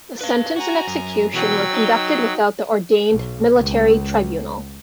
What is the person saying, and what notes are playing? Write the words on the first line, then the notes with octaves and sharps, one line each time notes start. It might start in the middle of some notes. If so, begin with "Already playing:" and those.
The sentence and execution were conducted without the ordained military tribunal.
B4 F5
F#4 G#5 A#5
F#2
B2 E3 F#3 G5 E6
D#4
B1
C#2